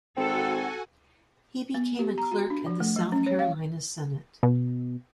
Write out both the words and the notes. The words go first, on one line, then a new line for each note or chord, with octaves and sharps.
He became a clerk at the South Carolina Senate.
G#1 C4 F#4 A4 F#5 G#5
B3
G4
A#5
F#4
D4
F3
A3
F#3
C#4
C#5
F5
B2